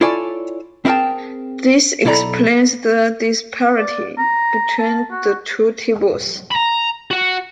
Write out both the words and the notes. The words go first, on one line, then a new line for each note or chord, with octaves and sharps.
This explains the disparity between the two tables.
E4 F4 A4 C#5 D5 G#5
C4 E4 G#4 A#4 G5 A5
B1 E4 A4 D5 A#5 B5
D5
A#5
A5
F#4
A#5 B5
F#4 F#5